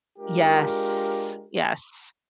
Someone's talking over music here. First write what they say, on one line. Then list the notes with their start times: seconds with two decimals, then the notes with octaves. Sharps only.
Yes, Yes.
0.18 G#3 D4 F4 G4 A#4